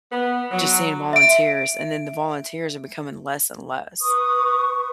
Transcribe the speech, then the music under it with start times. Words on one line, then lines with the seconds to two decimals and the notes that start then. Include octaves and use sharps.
just seeing volunteers and then the volunteers are becoming less and less,
0.12 B3
0.52 F#3
1.13 E5 D7
4.02 B4 C#6 D#6